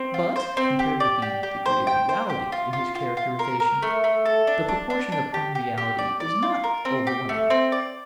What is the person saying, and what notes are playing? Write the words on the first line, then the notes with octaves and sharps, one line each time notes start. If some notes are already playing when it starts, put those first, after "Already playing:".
But, compared with the degree of reality in his characterization, the proportion of unreality is not overwhelming.
Already playing: C4
F4
C5
C4
G4
D5
G4
G4
C5
G5
C5
G4
F4
F4
F4
F4
A#4
A#4
A3
A3
A4
D4
D4
D4
D4
G4
G4
G4
D5
D5
F4
A#4
C4
G4
A3
C4
D5